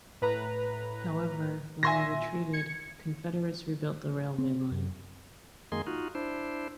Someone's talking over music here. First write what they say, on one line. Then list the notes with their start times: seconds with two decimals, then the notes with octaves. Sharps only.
However, when they retreated, Confederates rebuilt the railway line.
0.22 A2 B4 A#5
1.83 A#2 E5 G#5 C6 A#6
2.53 G#6 C#7
4.38 C4
4.72 F#2
5.72 F#2 D#3 G#3 A#3 G#4 C6
5.87 D#4 F4 F#4
6.15 D4 E4 C5